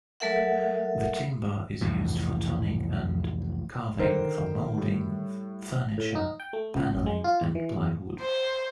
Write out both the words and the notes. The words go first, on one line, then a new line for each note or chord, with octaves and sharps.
The timber is used for turning and carving, for moulding, furniture, panelling and plywood.
F#3 A3 A4 A#4 E5 F#5
C2 F2 A2 E3
D3 D#3 A#4 C5
A2 G3
A2
D#4
G5
A3
C#2
A1
G#3
F4
E2
E3
E2
C5